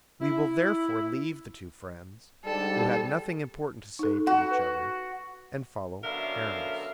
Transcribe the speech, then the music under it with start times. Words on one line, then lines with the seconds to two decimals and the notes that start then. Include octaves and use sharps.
We will therefore leave the two friends, who had nothing important to say to each other, and follow Aramis.
0.21 E4
2.45 G#2 D3 G3 A4
3.99 D#4 A4
4.27 F#4
4.51 B4
6.04 F#2 B2 D3 A#4 E5 F5